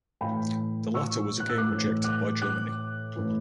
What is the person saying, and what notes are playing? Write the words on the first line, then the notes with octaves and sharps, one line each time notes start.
The latter was again rejected by Germany.
A2 E3 G5 B5
C#6 E6
F#6
E6
D6 F#6
A2 E3
D6 F#6
D6 F#6
A2 E3